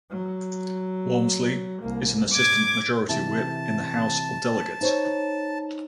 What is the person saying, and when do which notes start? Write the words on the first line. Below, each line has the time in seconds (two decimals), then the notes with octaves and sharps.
Wamsley is an assistant majority whip in the House of Delegates.
0.10 F#3
1.83 C2 A#3
2.33 G#2 D6 G#6
3.09 C3 E3 E4 A5
4.81 D#4 C5 C#5